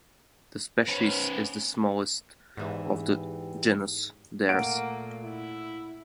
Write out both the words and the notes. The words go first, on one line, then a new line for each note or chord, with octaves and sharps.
The species is the smallest of the genus "Dares".
B3 C#4
E2 G#2 E3 G4 E5
A#2 A3 A#3 F#5 D7
E4